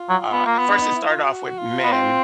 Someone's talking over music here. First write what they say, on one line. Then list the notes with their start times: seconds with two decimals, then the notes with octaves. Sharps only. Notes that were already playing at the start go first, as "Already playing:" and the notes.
uh at first it started off with men
Already playing: F4
0.09 F#3
0.32 B3
0.46 A#3
0.59 B3
0.68 D4
0.81 D#4
0.95 E4
1.10 F4
1.24 F#4
1.58 F4
1.83 B3
1.92 C4 F4